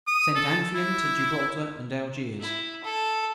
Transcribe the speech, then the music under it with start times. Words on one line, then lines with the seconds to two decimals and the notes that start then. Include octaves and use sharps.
Sent Amphion to Gibraltar and Algiers.
0.08 D#6
0.35 A4
0.75 E4
2.41 E4
2.84 A4